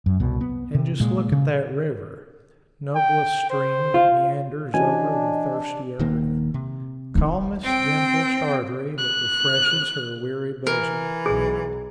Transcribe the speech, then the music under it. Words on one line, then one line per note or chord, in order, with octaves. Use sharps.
And just look at that river--noblest stream that meanders over the thirsty earth!--calmest, gentlest artery that refreshes her weary bosom!
F#2
C2 B2
B3
C3
A#2 G#3
C#3
G5
C5
F4
E3 C#4 D4 F#4 D#5 G#5
D#1 D#3 A#3
C3
F3 D#4
C4 G5
F#6
E3 A#4
B1 G#4